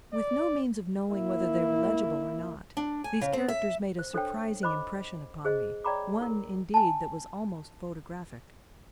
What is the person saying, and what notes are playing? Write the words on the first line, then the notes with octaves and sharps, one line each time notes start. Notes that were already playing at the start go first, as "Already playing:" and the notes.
With no means of knowing whether they were legible or not, these characters made a surprising impression upon me, one, indeed, that was almost photographic.
D5
A#3 E4
D4
G#5
C#3
C4
E5
C5
D4 A4 C5 C#5 G5
C5 D#5 B5 D6
G#4 C5 D#5
C#5 D5 G5 A#5 B5 D6
E4 A#4
G#5 A5